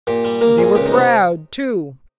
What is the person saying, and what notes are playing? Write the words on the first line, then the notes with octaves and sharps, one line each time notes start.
And they were proud, too.
A#2 G4
G3
A#3 A#4
A#2 G#4
C#2 G4
D#4
C3
D#4